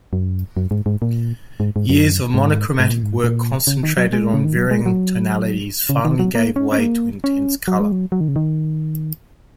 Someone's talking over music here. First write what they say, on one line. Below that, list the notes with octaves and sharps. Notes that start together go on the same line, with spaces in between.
Years of monochromatic work concentrated on varying tonalities finally gave way to intense color.
F#2
F#2
G#2
G#2
A#2
G#2
G#2
F#2
G#2
G#2
A#2
G#2
A#2
C#3
D#3
F#3
G#3
C#3
D#3
F#3
G#3
F#3
C#3
D#3
F#3
A#3
C#4
C#4
A#3
C#4
F#3
G#3
F#3
F#3
D#3
C#3
D#3